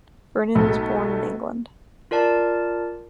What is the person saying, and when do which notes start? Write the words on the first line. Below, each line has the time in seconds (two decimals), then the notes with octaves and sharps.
Vernon was born in England.
0.55 B1 A3 A4
2.11 F4 A#4 D5 A5